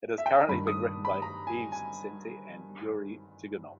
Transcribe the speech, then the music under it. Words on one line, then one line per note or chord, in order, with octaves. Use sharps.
It is currently being written by Yves Sente and Youri Jigounov.
E5
G5
G#5
A#5
G2 D#3 B5
D#6
B5
A#5
G#5
G#5